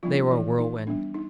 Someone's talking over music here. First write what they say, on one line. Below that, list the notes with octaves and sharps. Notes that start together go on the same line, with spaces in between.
They were a whirlwind.
F3 G3 B3 D4 F4
E3 E4
D#4
G3 B3 D4
D#4